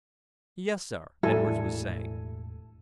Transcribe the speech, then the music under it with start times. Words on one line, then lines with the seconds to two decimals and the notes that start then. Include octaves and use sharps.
"Yes, sir," Edwards was saying.
1.23 E1 A2 G3 A3 E4 A4 G#5